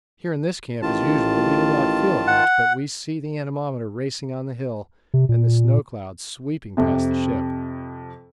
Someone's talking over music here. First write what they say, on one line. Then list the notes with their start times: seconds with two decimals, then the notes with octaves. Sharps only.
Here in this camp as usual we do not feel it much, but we see the anemometer racing on the hill and the snow clouds sweeping past the ship.
0.82 A1 D#3 F4 A5
2.27 F#5
5.14 C3
5.29 A#2
6.77 F2 C3